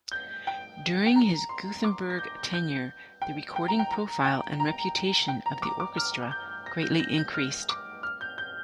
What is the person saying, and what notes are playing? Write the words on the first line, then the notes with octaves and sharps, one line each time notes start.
During his Gothenburg tenure, the recording profile and reputation of the orchestra greatly increased.
G6
G5
G5
A#5
C6
D6
A#6
G6
G6
G5
G5
A#5
G5
A#5
G5
A#5
G5
A#5
D6
D6
F6
G6
A#6
G6
A#6
G6
F6
D6
F6
G6
G6